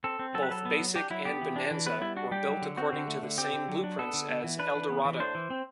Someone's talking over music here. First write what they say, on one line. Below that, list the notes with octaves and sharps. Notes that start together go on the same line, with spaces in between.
Both Basic and Bonanza were built according to the same blueprints as Eldorado.
C4 A4
C4
F#3 A4
B4
F#3 A4
B3
F#3
D4 G4
F#3 E4
B3 G4
E3
D4
E3
B3 B4
G3 E4
D4 F#4
G3 G4
F#3
D3
C4 F#4
D3
A3
D3
C4 G4
D3
F#3
D4
B3 A4
D3
B3
E3
D4 B4
E3
B3
E3
D4 C5
E3
C4